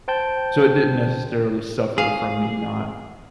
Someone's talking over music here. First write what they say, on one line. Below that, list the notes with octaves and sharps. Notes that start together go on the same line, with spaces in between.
So, it didn’t necessarily suffer from me not
C5 G5 A5 G6
G#4 F5